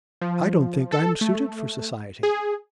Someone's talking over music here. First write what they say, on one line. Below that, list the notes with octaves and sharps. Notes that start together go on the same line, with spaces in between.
'I don't think I'm suited for society.'
F3
A4
A3
G#4